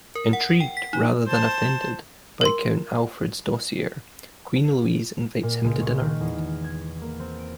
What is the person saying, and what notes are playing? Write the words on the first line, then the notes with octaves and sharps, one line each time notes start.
Intrigued rather than offended by Count Alfred's dossier, Queen Louise invites him to dinner.
A#4
F#5
G5
B6
D#4
C5 A5
A#4 C6
A#2
C#2
C#6
D#3
E2
G#6
A#3
C4
D7